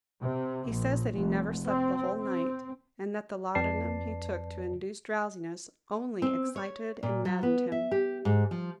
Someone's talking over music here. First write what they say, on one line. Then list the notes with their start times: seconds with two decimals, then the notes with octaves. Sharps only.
He says that he never slept the whole night, and that the laudanum he took to induce drowsiness only excited and maddened him.
0.22 C3
0.68 A#1
1.14 F1
1.67 C4
2.19 C4
3.55 F2 B4 D5 A5 C7
6.22 C4
6.56 C#5
7.03 A#2
7.25 F#3
7.43 B3
7.72 E5
7.91 G4
8.25 G#2
8.51 F3